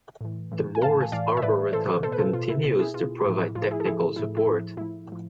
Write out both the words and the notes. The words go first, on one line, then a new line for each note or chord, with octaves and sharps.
The Morris Arboretum continues to provide technical support.
A2 E3
A2 E3
G#5
A2 E3 F5 A5
G#5
A2 E3 D5 F5
E5
A2 E3 B4 D5
A2 E3 A4 C5
B2 A4 C5
B4
F4 A4
B2 F4
E4
B2
E4 G#4
B2 F4
A2 F3 E4
A2 F3 F4
E4 G#4
A4
A2 F3 E4 G#4
A2 F3 E4
E4
A2 F3
A2 F3 E4
A2 F3